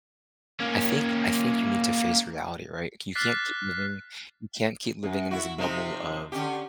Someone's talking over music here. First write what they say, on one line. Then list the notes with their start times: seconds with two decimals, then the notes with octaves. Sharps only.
I think I think you need to face reality, right? You can't keep living you can't keep living in this bubble of,
0.60 A#3 C#4
3.15 D6 F6 F#6 A6 B6 C7
5.03 F#2
5.31 E4 F#4
5.58 C3 F3 D#4
6.32 D3 C#4 G4